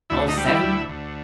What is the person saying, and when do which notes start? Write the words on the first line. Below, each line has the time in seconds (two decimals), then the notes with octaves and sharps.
"All seven?"
0.10 D2 E4
0.28 D#4
0.37 G3
0.46 E4
0.63 D2
0.89 D2